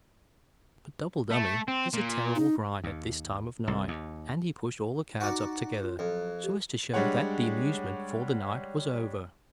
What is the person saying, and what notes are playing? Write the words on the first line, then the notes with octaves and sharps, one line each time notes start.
"But double dummy is a terrible grind at this time of night." And he pushed all the cards up together, so as to show that the amusement for the night was over.
A3
C4
A#2
D#4
D#2
C2
D#2
D#4 F#4 D5
F4
F2 F#3
G4
G3 G#3 D4 C#5 F#5